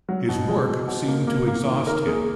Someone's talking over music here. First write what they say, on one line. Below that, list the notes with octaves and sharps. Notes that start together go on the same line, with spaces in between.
His work seemed to exhaust him.
F#3
B2
G#3
B2
B2
A#3
A#3
A#3
D#3
D#3 A#4
A#3 G#4